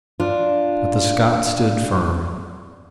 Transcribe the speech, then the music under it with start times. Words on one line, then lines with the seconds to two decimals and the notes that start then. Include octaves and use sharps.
But the Scots stood firm.
0.20 D4 F4